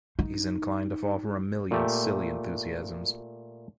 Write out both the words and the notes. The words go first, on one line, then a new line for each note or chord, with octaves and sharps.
He's inclined to fall for a million silly enthusiasms.
D#4
A#2 A3 G4